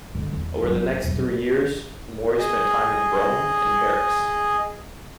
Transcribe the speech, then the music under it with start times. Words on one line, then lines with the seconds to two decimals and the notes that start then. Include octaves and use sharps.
Over the next three years, Mori spent time in Rome and Paris.
0.15 D3 G#3
0.30 E2 E3
0.63 F#1 F#2
1.03 B1 E2
2.38 G#4 D#5